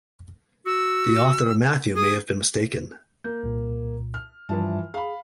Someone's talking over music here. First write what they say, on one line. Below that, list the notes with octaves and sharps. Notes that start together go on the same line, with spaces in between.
The author of Matthew may have been mistaken.
F#4 E6
G#4 D#6
A#3 G6
C2 A#2
F6
G2 E3 F3 G3 E5 A5
G#4 F5 B5